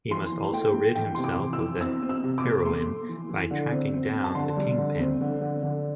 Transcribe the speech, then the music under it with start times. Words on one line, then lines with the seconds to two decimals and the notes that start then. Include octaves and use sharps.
He must also rid himself of the heroin by tracking down the kingpin.
0.10 E3 C6
0.32 E3
0.53 A3 G5
0.74 A3
0.95 E3 G5
1.15 C3 C6
1.24 D6
1.39 E3
1.53 E6
1.59 E3
1.81 C4 E6
2.02 C4
2.09 E6
2.24 C3
2.38 D6
2.45 A3
2.65 A3 C6
2.87 A3
3.09 E3
3.29 E3
3.51 D3
3.72 C4
3.94 C4
4.14 C4
4.24 A5
4.35 D3 C6
4.57 G3
4.78 D3
4.99 C4
5.21 D3
5.41 D3
5.63 D3